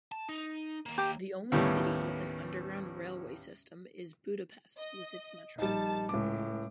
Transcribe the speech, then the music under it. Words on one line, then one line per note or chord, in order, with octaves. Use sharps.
The only city with an underground railway system is Budapest with its Metro.
A5
D#4
D#2 A#3
G4
D#2 A2 G3 B3 C#4
D#5
A#1 G3 D#4 A5
C#2 A2 D6